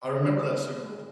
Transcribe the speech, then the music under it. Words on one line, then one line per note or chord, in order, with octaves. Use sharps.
I remember that Super Bowl.
D3